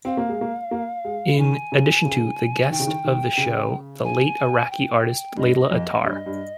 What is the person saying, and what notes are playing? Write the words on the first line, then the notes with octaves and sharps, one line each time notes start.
In additionto the guest of the show, the late Iraqi artist Layla Attar.
C4 F5
A#3
G#3
A#3
A#3
G#3
D#3 G#5
C#3
C#3
D#3 G5
C#3
D#3
D#3
C#3
G#5
G5
G2 D#5
F2
G2 D#5
G2